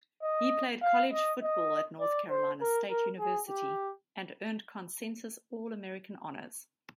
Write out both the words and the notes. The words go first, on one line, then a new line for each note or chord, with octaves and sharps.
He played college football at North Carolina State University, and earned consensus All-American honors.
D#5
F5
D#5
D#5
D5
C5
A#4
A#4
G#4
G4